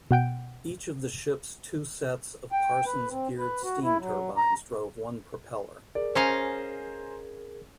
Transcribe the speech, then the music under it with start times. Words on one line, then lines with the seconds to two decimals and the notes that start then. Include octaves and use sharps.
Each of the ship's two sets of Parsons geared steam turbines drove one propeller.
0.11 B2 F#5 G5 D7
2.52 G5
2.86 B4
3.11 C4
3.38 B4
3.64 F#4
3.83 E4
3.99 F#3
4.37 A#5
5.95 G#4 A#4 D5
6.15 C#4 C5 D#5 F5 G#5 A#5